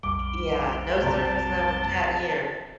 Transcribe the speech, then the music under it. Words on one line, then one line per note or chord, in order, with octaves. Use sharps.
Yeah, no surface level chat here.
B1 F2 G3 D6
C3 A5